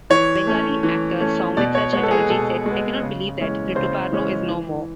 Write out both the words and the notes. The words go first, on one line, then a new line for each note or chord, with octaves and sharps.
Bengali actor Soumitra Chatterjee said I cannot believe that Rituparno is no more.
E3 C#5
A3 C#4
E3
A3 C#4
B2 D5
C#5
G#3 B3 C#5
A4
G#4
B2 A4
G#3 B3
C#3
E3 G#3 C#4
C#3 C5
E3 G#3 C#4
E3